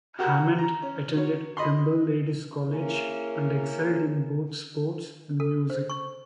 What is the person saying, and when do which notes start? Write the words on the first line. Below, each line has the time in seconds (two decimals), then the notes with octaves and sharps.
Hammond attended Pymble Ladies' College and excelled in both sports and music.
0.19 F#4 G4 A#4 F#5
0.58 A#5
0.82 C#4
1.16 F#3 C#5
1.57 D#5 B5 C6
2.69 A#3 C#4 E4 G#4 A#4
5.40 A4
5.70 C5
5.90 C#6